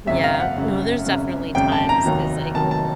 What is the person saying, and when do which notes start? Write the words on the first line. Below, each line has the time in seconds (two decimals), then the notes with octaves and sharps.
Yeah. No, there's definitely times 'cause like,
0.06 G#1 F#2 C#3 E5
0.24 F5
0.34 F5
0.40 F#5
0.56 G#1 F#2 C#3
1.06 G#1 F#2 C#3
1.55 G#1 F#2 C#3 G5
1.72 A5
1.89 A#5
2.05 F1 D#2 D#3 F#3
2.54 F1 D#2 D#3 F#3 A5
2.71 A5